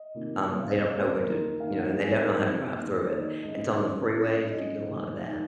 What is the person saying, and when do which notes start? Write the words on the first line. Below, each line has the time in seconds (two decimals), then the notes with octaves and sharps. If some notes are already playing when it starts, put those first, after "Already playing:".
Um, they don't know when to you know, and they don't know how to drive through it, and so on the freeways, you get a lot of that,
Already playing: D#5
0.14 C3 D#3 A#3 F4
0.51 C3 F#3 C#4 C#5
0.63 F5
0.76 D#5
0.88 C3 F#3 C#4 C#5
1.00 C5
1.12 A#4
1.24 D#3 A#3 D#4
1.60 D#3 A#3 D#4 F5
1.79 F#5
1.96 F3 C4 D#4 G#4
2.15 A#4
2.33 F3 C4 D#4 C5
2.69 D#3 A#3 D#4
3.06 D#3 A#3 D#4 C#5
3.43 D#3 G#3 C#4 D#5
3.79 D#3 G#3 C#4
4.16 F#3 C#4 F4
4.51 F#3 C#4 F4 D#5
4.89 D#3 G#3 D#4
5.24 D#3 G#3 D#4